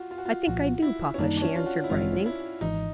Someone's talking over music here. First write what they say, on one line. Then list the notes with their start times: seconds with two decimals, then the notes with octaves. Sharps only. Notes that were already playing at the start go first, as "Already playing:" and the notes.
"I think I do, papa," she answered, brightening.
Already playing: F4 F#4
0.11 F4
0.18 F#4
0.25 F4
0.47 C2 A#2 F3 F#4
0.82 E4
1.14 C#4
1.18 F#2 D#3 G3 A#3 D4 D#4
1.37 D4
1.42 C#4
1.55 F4
1.66 F#4
1.84 E4
1.90 A1 G2 E3 G#3 C4 F4
2.26 E4
2.61 G#1 G#2 E3 D#4